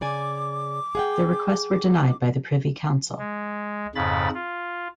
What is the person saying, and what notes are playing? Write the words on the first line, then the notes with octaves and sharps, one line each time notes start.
Their requests were denied by the Privy Council.
C#3 D5 G#5 D6
G#4 F#5 G5
G#3
F2 G#2 C#3 B5 A6
F4